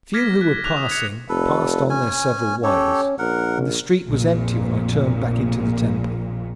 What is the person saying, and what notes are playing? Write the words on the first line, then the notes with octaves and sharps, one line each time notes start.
The few who were passing passed on their several ways, and the street was empty when I turned back into the Temple.
D6 F6 G#6 A#6 B6
A#6
F#6
D6 F#6 F7
D#6
G#6 C#7 F7
F1 A4 B4
C#4 G#5
C#4 G4 A4 C#5
A#1 A#4 F#5
A#1 F2 A#2